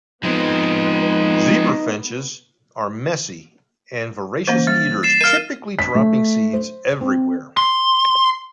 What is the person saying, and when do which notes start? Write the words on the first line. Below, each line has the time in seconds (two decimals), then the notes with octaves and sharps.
Zebra finches are messy and voracious eaters, typically dropping seeds everywhere.
0.24 F3 G#3 B3 C4 D#4 A#4
4.47 E3 A#3 C#4 D#7
4.67 G3 A6
5.03 A6 C7 E7
5.21 A#4 F5 F6 D#7
5.79 B6
5.95 A3
6.53 C5
7.01 C4
7.57 C6